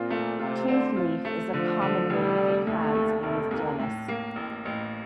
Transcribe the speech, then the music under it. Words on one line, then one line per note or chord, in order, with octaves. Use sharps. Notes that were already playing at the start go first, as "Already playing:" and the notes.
Toothleaf is a common name for plants in this genus.
Already playing: A#2 C4 F4
A3
C3 F4
D3 C4
F4
A3
D3 F3
D3
F1 G3
F1
D#2 A3
D#2
F1 A3
D#2 A#3
A2
A#3
A1
A1